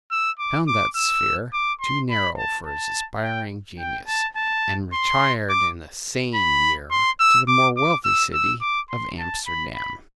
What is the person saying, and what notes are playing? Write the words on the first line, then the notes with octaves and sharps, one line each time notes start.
He found that sphere too narrow for his aspiring genius, and retired in the same year to the more wealthy city of Amsterdam.
E6
D6
D6
E6
D6
C6
B5
A5
A5
G5
G5
A5
A5
C6
D6
B5
C6
E6
D6
D6
E6
E6
D6
C6
A5
B5
B5